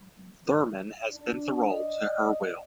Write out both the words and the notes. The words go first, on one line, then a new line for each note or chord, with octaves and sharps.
Thurman has bent the role to her will.
D4
D5 D#5